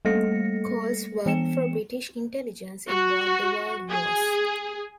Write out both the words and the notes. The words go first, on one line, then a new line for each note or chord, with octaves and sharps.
Coles worked for British Intelligence in both the World Wars.
G3 A3 A#3 A4 A#6 C#7
E3 B3 C#7 E7
F#4
G#4